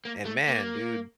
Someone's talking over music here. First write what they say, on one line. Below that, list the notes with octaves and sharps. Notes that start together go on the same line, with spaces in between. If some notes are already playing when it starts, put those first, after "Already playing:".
And man, dude,
A#3
A3
A#3